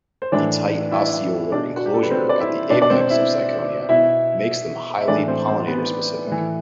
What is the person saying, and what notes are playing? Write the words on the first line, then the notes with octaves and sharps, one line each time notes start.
The tight ostiolar enclosure at the apex of syconia makes them highly pollinator-specific.
C5
A2 E3 D4 D5
E4 E5
B2 D4 D5
F#4
G4
A4
B4
C4 C5
D5
E4 E5
B2 D4 D5
D5
C4 C5
E4 E5
B2 E4 E5
E5
A2 E3 D4 D5
C4 C5
C4 C5
B3 B4
A2 E3